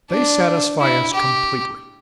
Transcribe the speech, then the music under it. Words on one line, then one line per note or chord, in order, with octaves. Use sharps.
They satisfy us completely.
D4
E4
G4